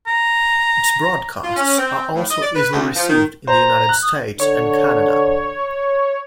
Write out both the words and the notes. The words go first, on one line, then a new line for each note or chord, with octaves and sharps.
Its broadcasts are also easily received in the United States and Canada.
A#5
F4
C#4
C4
A2
D#5
D5
B4
D2
F3
D#3
C5 A#5
F#6
D#6
D3 C#5